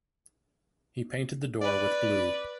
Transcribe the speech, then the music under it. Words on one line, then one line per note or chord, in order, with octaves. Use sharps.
He painted the door with blue.
B4 D5 B5